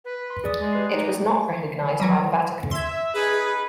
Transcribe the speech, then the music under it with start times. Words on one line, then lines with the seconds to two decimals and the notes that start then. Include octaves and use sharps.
It was not recognized by the Vatican.
0.05 B4
0.30 C6
0.44 G#4 D5 D#6
0.60 G#3
0.73 G4 B4 C7
0.92 D#4
2.00 E3 F#3 G3
2.71 E5 C6 G#6
3.14 C#4 D#4 G#4 B4